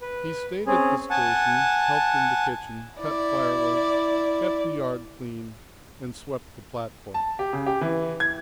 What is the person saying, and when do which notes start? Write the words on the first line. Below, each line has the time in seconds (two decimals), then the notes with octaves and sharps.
He stayed at the station, helped in the kitchen, cut firewood, kept the yard clean, and swept the platform.
0.02 B4
0.67 C4 C#4 G#4
1.10 F#5 G#5 A5
2.99 E4 D5
7.14 A5
7.39 G4
7.53 C#3
7.66 G4
7.81 E3
8.20 G#6